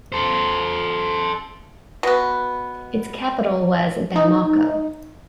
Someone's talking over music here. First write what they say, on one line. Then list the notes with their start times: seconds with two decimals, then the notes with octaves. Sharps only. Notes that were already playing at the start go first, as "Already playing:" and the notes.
Its capital was Bamako.
0.12 A4 C5
2.03 B2 B3
4.16 D#4